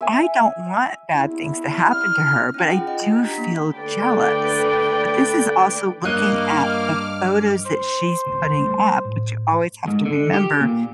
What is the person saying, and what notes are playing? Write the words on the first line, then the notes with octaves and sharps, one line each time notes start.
I don't want bad things to happen to her, but I do feel jealous. But this is also looking at the photos that she's putting up, which you always have to remember
E5 G#5
E4
F6
C#4 D#4 G5
F4 G#4 F#5
D#5 F#5
G#5
D4 G4 A#5 B6
A#3
D3 A3 B4 D5 G5
G2 A#3 C#5 D#5 D6 F6 F#6
C5
D#1 C2 C#3
G3 A3
A2
G#2
D3
G4
A#2